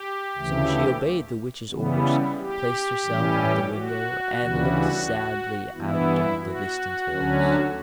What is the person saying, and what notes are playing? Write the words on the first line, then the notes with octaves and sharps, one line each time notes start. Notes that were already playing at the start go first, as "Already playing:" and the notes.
So she obeyed the Witch's orders, placed herself at the window, and looked sadly out at the distant hills.
Already playing: G4
D2 C#3 E3 A3
C#3 E3 G3 B3
G4
A2 E3 G3 C#4
F#4
D2 C#3 E3 G3
G2 E3 B3 E4
F#4
D2 D3 F#3 C#4